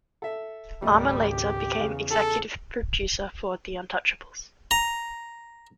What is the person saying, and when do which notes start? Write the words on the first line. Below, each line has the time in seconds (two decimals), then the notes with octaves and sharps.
Armer later became executive producer for "The Untouchables".
0.22 A4 E5
0.82 G#1 C#2 G3 A3 D#5
1.31 G4
1.80 E2 C#3 G#4 F5
2.11 G#4 A4 G#5
4.71 A#5